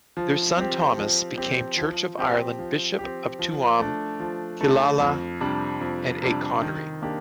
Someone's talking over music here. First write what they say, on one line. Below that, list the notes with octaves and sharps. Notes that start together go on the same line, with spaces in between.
Their son Thomas became Church of Ireland Bishop of Tuam, Killala and Achonry.
F3
C4 G4
F3
C4 G4
F3
C4 G4
F3
G4
C4
F3
A3 D4
F3
A3 D4
F2
C3 G3 D4
F2
C3 G3 D4
D#3
A#3 D4 G4